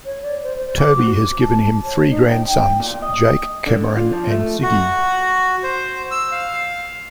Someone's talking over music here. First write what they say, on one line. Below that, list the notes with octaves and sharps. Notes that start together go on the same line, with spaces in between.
Toby has given him three grandsons, Jake, Cameron and Ziggy.
C#5
D5
C5
C5
D6
F#4
D6
A5
C#5
D#4
G5
G5
A#2
D#5
D3
F4
F3
A3
F#4
C5
E6
F5